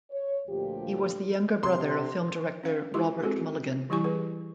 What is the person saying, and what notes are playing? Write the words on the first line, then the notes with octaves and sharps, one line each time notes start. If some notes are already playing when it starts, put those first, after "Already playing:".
He was the younger brother of film director Robert Mulligan.
C#5
D2 A#2 F3 G4
C3 C6
C#4 F5
G#3 E4 F4 G4 C6
G#3 C4 F#4 G#4 A4
E3 G3 E4 G4 G#5 C#6
G#4 B4